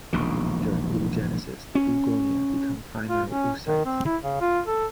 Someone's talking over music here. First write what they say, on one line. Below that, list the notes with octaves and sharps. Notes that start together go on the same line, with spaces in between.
During oogenesis, the oogonia become primary oocytes.
E1 A#1 D#3
C#4
F4
C#4
D#3
C4
E4
C#3
F4
A4